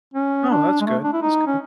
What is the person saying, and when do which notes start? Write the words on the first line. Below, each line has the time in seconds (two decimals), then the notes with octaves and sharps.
Oh, that's good, that's good.
0.14 C#4
0.50 D4
0.80 G#3
0.86 A3
1.04 D4
1.13 E4
1.22 D#4
1.47 C#4